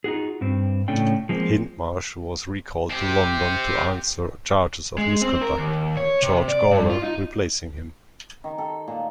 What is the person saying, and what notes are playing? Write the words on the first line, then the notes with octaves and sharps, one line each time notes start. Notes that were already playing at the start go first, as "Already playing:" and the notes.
Hindmarsh was recalled to London to answer charges of misconduct, George Gawler replacing him.
D#4 F4 F#4 G#4
G2 C4
A2 C#3 A3 C#4 D4 G5
F3 G#3 A#3 C4
C4 G4
G#3
C4
A#4
D#2
C#5
C3
D5
G2
F4
D#4
D#3
A4
A#2